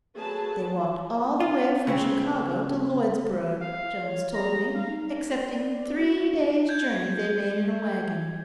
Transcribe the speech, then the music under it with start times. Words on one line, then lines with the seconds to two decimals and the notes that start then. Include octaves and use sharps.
They walked all the way from Chicago to Lloydsborough, Jones told me, excepting three days' journey they made in a wagon.
0.15 F#3 A3 G#4 B4 A5
1.40 F4
1.87 C#3 B3 C4
3.62 F5
4.02 C#5
4.33 G#4 A#5
4.75 D#4 F5
5.41 D5
5.97 F#4
6.69 G6 G#6